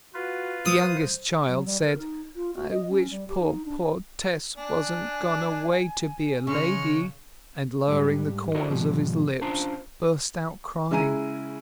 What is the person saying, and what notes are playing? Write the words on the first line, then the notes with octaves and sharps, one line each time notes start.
The youngest child said, "I wish poor, poor Tess wasn't gone away to be a lady!" and, lowering the corners of his lips, burst out crying.
F4 F#4 B4
C5 D#6
F#3
G3
A#4
D#4
F4
F#4
D#5
C#4
G3
G4
D#4
D4
D4 G#5
C#3 G#3 C#6 F6
G#2 G3
E4 F#4 A4 A#4 C5 D5
G#2 B2 D#3 F3 G3
C#4 D4 F4 C5 A5 A#5
C#3 G#3 E4 G#5 A#5 D#7